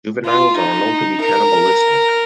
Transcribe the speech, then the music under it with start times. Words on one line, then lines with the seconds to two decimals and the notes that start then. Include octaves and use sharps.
Juveniles are known to be cannibalistic.
0.24 F4
0.56 D#4
1.21 A#4